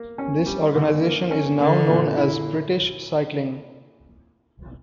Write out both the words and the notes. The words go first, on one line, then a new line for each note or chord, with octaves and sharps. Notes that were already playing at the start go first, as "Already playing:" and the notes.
This organization is now known as British Cycling.
Already playing: A#3
C#4
G3
D3
A#3
C#4
D3 A#3
A#2
E4